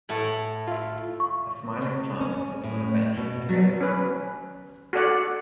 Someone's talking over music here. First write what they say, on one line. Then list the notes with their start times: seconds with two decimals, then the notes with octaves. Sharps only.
A smiling clown is sitting on a bench with three other people.
0.09 A2 E4 A4
0.68 F4 E5
1.20 C#6
2.20 C#4
2.64 A2
3.17 B2
3.49 F#3
3.80 C#4 B4
4.93 F#4 A4 D5 F#5